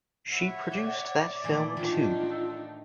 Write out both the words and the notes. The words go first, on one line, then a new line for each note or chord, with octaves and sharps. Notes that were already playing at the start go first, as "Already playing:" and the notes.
She produced that film too.
E4 C#5 E5 F#5
D5 G5
A#2 E3 A3
A2 D#3 F3 D4 D#4 F4
A4